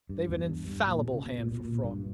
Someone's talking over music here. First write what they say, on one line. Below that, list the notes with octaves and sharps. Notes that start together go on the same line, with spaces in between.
They've an infallible hand for frauds.
G2
E2
G2
G2
A#2
C#3
B2
A#2
B2
A#2
G2